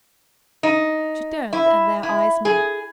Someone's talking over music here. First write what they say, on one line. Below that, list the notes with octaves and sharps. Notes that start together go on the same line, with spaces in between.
She turned and their eyes met.
D#4
E4
E4
G#4